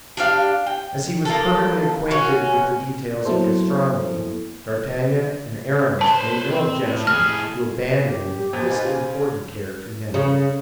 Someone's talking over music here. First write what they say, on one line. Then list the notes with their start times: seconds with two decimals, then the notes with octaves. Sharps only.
As he was perfectly acquainted with the details of gastronomy, d'Artagnan and Aramis made no objection to abandoning this important care to him.
0.17 D4 G4 F5
0.67 G5
1.25 A#3 A4
2.11 C#4 F#4
3.25 F#3 A#3 B3 E4 A4 C5
6.01 B4 C5 A5
6.50 C4
6.84 A2
7.07 A2 G#4 F6
8.04 G4
8.53 F2 A#2 C5
8.70 D#4 F4 B4 C5 G#5
8.84 C#3
10.14 C#3